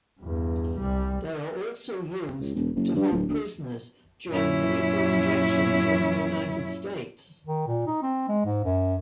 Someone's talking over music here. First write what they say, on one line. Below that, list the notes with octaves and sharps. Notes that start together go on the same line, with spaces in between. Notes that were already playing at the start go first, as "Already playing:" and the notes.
They are also used to hold prisoners during lethal injections in the United States.
E2 G2
C2 G3
C#2
E1
F#1
G2
D1
D2
F#2 A#2 C#4 E4
D#3
A#2
D#4
C4
G#3
G#2
F#2